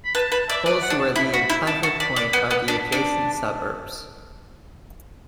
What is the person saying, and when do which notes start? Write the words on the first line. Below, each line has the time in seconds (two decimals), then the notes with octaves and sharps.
Holsworthy and Pleasure Point are the adjacent suburbs.
0.05 B5
0.15 B4 A5
0.32 B4 A5
0.49 D5 E5
0.65 B4 D5
0.82 F#5
0.90 D4
0.99 A5
1.16 E4 B5
1.34 F#4 B5
1.50 E4
1.67 D4 A5
1.83 F#4 A5
2.00 D5 B5
2.16 D5
2.33 B3
2.51 B3
2.68 D4
2.92 D4